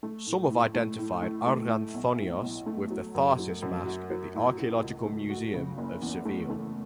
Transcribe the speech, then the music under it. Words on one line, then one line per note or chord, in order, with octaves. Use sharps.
Some have identified Arganthonios with the "Tharsis Mask" at the Archeological Museum of Seville.
A3
A2
A2
A3
A2
A3
A3
E4
B1
A2
B1
A3
F#3
F#2
F#3
F#2
F#4
F#3
A2
F#4
C#2
A3
F#4
C#3
F#1
E2
A3
A3